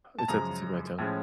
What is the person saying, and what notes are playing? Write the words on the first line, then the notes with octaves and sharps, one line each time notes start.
it's at the tip of my tongue.
A5
F#2 C#3 F3 G#3 A#5
A2 F3 G#3 C#4